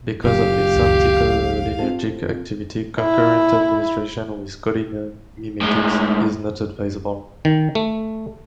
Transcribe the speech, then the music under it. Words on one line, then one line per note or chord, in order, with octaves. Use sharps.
Because of its anticholinergic activity, concurrent administration with cholinomimetics is not advisable.
F#1 A#2 G4 F5
C#2 F#2 D#3
C4 F4 A4
E4
A2 G#3
D#3
A3